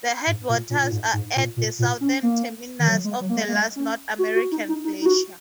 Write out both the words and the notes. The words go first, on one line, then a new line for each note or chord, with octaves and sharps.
The headwaters are at the southern terminus of the last North American glacier.
G#2
A#2
A#2
A#2
G#2
G#2
A#2
A#2
A#2
C#4
A#3
D#3
F#3
G#3
F#3
A#3
G#3
A#3
G#3
C#4
F#4
F#4
D#4
D#4
D#4
D#4
F#4